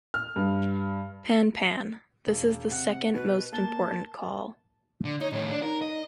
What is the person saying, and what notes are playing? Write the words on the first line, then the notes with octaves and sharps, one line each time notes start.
Pan-pan: This is the second most important call.
F6
G2
E1
C3 F#5
B2 B4
A#3 A5 G7
D3
D#4 C#5
A2 D#3 C#5
D4
D#4 A#4
D#5